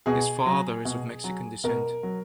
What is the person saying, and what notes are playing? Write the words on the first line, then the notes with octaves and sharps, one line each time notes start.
His father is of Mexican descent.
B2 G#4
F#3
B2
F#3
B2 A#4
F#3